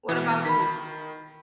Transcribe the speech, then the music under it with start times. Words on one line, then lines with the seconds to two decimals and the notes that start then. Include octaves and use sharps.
What about you?
0.09 B2 E3
0.45 D#3 B5 B6